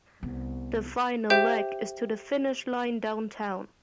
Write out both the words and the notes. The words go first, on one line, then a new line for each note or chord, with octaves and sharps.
The final leg is to the finish line downtown.
C2 B3
G4 C5 E5 G5 G6